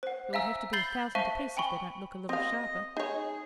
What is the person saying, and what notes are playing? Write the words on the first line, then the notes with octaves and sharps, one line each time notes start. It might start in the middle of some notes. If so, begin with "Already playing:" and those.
It will have to be a thousand a piece if they don't look a little sharper.'
C5 F#5
E5 F5 G#5 A#5 E6
B5 G6 A6 C7 F#7 G7
C5 E5 F5 A5 C#6
G5 G#5 B5 C#6
C4 D#5 F5
D#4 G#4 C#5